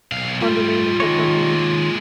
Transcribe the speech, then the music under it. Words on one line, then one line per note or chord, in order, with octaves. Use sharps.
on the name of the company.
B1 F5
G#2 G3 F4
D#3 G#3 A#3 C#5